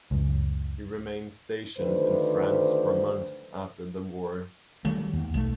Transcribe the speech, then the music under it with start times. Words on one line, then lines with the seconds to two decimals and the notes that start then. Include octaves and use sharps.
He remained stationed in France for months after the war.
0.11 C#2 F#2
1.77 D2 D#3 B4 C5
4.85 D#3 F#3 G3 A3
5.13 D#2
5.34 B1 F#3 A3